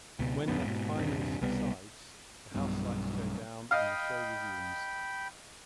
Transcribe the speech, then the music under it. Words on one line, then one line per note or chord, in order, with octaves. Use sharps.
When that finally subsides, the house lights go down and the show resumes.
C#2 B2
D#1 F#2 B3
G#2 B2
D#1 G#1 G2 C3
C2 B2 G3 B3
B1 G2 B2
D#5 F5 G5 B5